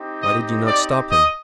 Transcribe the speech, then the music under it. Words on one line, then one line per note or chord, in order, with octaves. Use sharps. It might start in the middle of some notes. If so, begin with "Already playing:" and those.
"Why did you not stop him?"
Already playing: C4 D#4 G4
D#5
D5
D#5